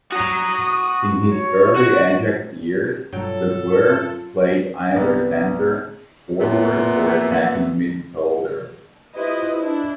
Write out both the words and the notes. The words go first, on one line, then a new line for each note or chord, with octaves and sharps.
In his early Ajax years, De Boer played either centre forward or attacking midfielder.
F#4 A#5 D#6
C#5
F#4
G2 B2 F#3 G3 F4 A4 G5
C2 B3
F2 A#2 B3 E5
E4 F4 G4 B4 C5 D#5
D4 E4